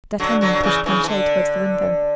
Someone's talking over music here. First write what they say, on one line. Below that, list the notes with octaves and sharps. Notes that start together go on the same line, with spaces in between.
D'Artagnan pushed Planchet towards the window.
D3 F#3
D3 F#3
F#3
C#3 E3
C#3 E3
E3
D3